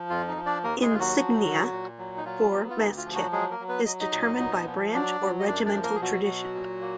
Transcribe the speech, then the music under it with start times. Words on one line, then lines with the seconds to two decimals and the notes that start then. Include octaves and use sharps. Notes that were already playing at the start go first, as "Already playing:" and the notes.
Insignia for mess kit is determined by branch or regimental tradition.
Already playing: F3
0.10 F2 F4
0.28 D#4
0.37 F3
0.46 D4 D5
0.64 D#2 A#3 A#4
0.82 G#3 G#4
0.90 D#2 F4
0.99 F#3 F#4
1.18 F3
1.45 D3
1.72 A#2
1.98 F#3
2.17 D#4
2.25 F#3 F4
2.52 B3
2.70 F4
2.78 D2 D#4
2.97 F4
3.06 F3
3.14 F#3 F#4
3.32 F#3 G#3 G#4
3.51 A#3 A#4
3.60 F#3
3.68 B3 B4
3.86 F#3 D#5
4.00 D#4 D#5
4.13 A#2
4.40 B3
4.67 F3
4.94 F#3 D4 D5
5.21 F#3
5.40 D#5
5.47 F#2 D4 D5
5.65 D4 D5
5.74 F3
5.83 A#3 A#4
5.95 G#4
6.01 B2 F#3 F#4
6.28 B2
6.55 A#2
6.81 A#3